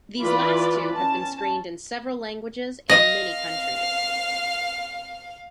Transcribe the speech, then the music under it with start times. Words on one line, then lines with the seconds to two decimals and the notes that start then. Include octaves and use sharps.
These last two have been screened in several languages in many countries.
0.21 E3 E4 F4 B4 D5 B5
0.94 C#4 A5
2.89 D#5 F5